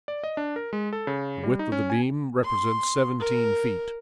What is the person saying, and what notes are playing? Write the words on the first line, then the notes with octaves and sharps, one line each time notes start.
The width of the beam represents seventeen feet.
D5
D#5
D4
A#4
G#3
A4
C#3
G3
D#4
C#4
G#5
C6
A#4